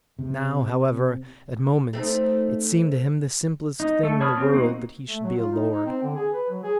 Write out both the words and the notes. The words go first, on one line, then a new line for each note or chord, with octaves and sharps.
Now, however, at moments, it seemed to him the simplest thing in the world that he should be a lord.
C3
A3 C4 D#4
D#4
A3 A4
C#5 A5 B5 D#6 F6
C4 G4
A#3 C4 D#4 F#4
A3
F#3
F4
D#4
D#4
C4
D3
G#4
B4
F#3
G#4